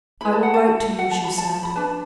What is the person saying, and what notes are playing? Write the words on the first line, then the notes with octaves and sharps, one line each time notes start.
"I will write to you," she said.
E4 B4 B5
A5
F#5
A5
F#5
A5
B5
A5
B5
D4 B4 A5